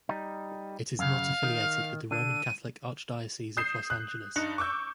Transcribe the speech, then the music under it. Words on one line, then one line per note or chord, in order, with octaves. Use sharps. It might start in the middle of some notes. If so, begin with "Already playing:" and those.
It is not affiliated with the Roman Catholic Archdiocese of Los Angeles.
G3 D#4
F#2 C#3 F5
D#3
D3 D4 D#7
D#6 G6 C7 E7
F#6
G2 D#4 F#6 C#7
C#6 D6 E6 G6